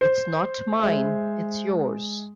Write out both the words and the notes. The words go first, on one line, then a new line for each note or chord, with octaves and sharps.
It's not mine; it's yours.
C5
G#3 E5